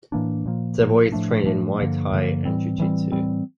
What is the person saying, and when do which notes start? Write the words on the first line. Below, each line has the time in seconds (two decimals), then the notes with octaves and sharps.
Savoy is trained in Muay Thai and jujutsu.
0.12 A2 E3 A#3 D4
0.46 A#2 F3 A#3
0.79 A#2 F3 A#3
1.12 A2 F3 A3 D4
1.46 A2 F3 A3 D4
1.79 G2 D3 F3 A#3
2.12 G2 D3 F3 A#3
2.45 A2 E3 G3 C4
2.78 A2 E3 G3 C4
3.12 A2 E3 G3 C4